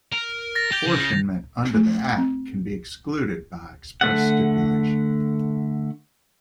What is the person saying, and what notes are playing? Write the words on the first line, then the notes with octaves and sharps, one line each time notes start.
Apportionment under the act can be excluded by express stipulation.
A#4
A6 A#6
G4 G6 F7
C#3
A3
C4
D3 A3 F#5